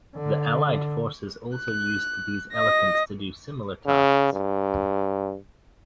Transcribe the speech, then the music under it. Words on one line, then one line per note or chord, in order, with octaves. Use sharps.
The Allied forces also used these elephants to do similar tasks.
D3
F#6
D#5 A#6
C#3
G2